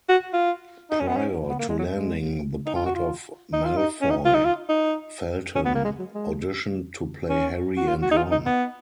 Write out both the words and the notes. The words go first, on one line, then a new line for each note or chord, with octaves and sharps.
Prior to landing the part of Malfoy, Felton auditioned to play Harry and Ron.
F#4
F4
D#4
C#4
B3
C#4
B3
A#3
G#3
F#3
G#3
D#4
F4
F#4
F4
D#4
F4
D#4
C#4
D#4
F4
D#4
F4
D#4
C#4
B3
A#3
G#3
F#3
G#3
C#4
F#4
F4
F#4
D#4
F4
D#4
B3